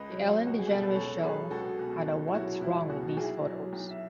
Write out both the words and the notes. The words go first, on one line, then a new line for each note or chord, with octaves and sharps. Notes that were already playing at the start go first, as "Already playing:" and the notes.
"The Ellen DeGeneres Show" had a What's Wrong with These Photos?
Already playing: C#2 B4 D#5
F#3
C#2
F#4
G#4
B2 A4
B4
C#2 A4 C#5
F#3 G#4 B4
C#2 F#4 A4
B2
C#2
E4
F#3 F#4
C#2 E4
B2 F#4
F#4
B1 E4 G#4
F#3
B1
E5